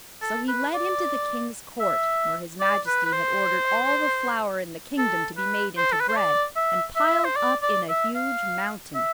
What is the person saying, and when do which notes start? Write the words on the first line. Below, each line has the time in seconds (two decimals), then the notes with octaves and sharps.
So he led him to the king's court, where his majesty had ordered all the flour in the kingdom to be made into bread, and piled up in a huge mountain.
0.21 A4
0.48 B4
0.74 D5
1.80 E5
2.60 D5
2.86 B4
3.05 B4
3.12 C5
4.98 A4
5.37 B4
5.77 C5
5.92 A4
6.00 B4
6.09 C5
6.16 D5
6.56 E5
6.96 E5
7.25 C5
7.36 D5
7.62 D5
7.89 E5
8.15 F5
8.95 E5